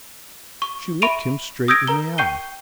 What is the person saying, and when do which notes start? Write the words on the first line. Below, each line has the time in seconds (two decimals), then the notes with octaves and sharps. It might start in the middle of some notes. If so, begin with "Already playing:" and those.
She looked him straight in the eye.
0.62 C#6
1.02 E5 B5 C#6 D7 D#7 F7
1.68 D#6 E6 G6 G#6 A#6 D7
1.88 A#4 A#5 G7
2.18 G5 C#6 G6 C7 D#7 G7